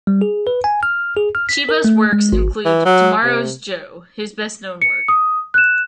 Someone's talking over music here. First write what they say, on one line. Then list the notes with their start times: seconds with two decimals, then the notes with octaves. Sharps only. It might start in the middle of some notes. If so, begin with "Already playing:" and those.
Chiba's works include "Tomorrow's Joe", his best known work.
0.07 G3
0.22 G#4
0.47 B4
0.64 G#5
0.83 F6
1.17 G#4
1.35 F6
1.49 B6
1.69 A#4
1.85 A3
2.13 G#3
2.33 G#1
2.65 E3
2.85 F#3
3.24 C3
4.82 C#7
5.08 D#6
5.54 F#6 E7